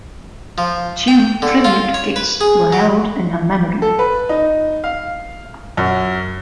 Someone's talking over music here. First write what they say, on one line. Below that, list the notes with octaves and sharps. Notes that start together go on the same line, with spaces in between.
Two tribute gigs were held in her memory.
F3
G5
D3
F4
C#5
B4
G#4
F#3
A4
B4
D#4
F5
F#2